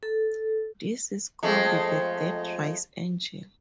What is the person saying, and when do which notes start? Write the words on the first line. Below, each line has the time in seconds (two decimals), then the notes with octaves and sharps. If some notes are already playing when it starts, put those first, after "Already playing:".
This is called the deadrise angle.
0.03 A4
1.43 F2 G#3 A3